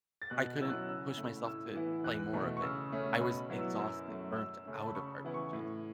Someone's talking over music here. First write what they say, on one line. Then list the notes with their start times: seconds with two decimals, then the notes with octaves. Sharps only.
I couldn't push myself to play more of it. I was exhausted, burnt out of RPGs.
0.22 A6
0.30 B2 F#6
0.60 F#3 C#4 E4 E6
0.69 F#6
0.89 C#3 E6
1.18 A3 E4
1.46 A2 E6
1.75 E3 B3 E4
2.04 E2 F#6
2.33 B2 A3
2.57 C#6
2.62 C#3 E6
2.92 A3 C#4
3.20 B2 B5
3.50 F#3 B3 E4
3.59 E6
3.79 F#2 E6
4.08 F#3 A3
4.37 F#2 E6
4.66 C#3 A3 C#4
4.77 A5
4.86 B5
4.95 C#3 C#6
5.24 E3 B3 E4
5.34 C#6
5.53 A2